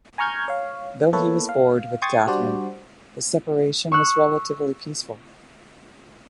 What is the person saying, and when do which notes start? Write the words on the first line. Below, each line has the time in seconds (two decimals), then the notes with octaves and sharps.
Though he was "bored" with Catherine, the separation was relatively peaceful.
0.18 G#5 A#5 C#6 F6 G6 G#6
0.48 C#5 F5
1.13 A#3 B3 E4 A4 B4 C#5
1.49 F5
2.02 G5 C6 C#6 D#6 G#6 A6
2.27 G3 D4 F#4 C5 D5
3.92 C#6 E6 F#6